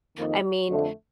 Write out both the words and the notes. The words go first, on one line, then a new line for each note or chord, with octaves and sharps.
I mean,
F2 D#3 A#3 D#4
F2 D3 A3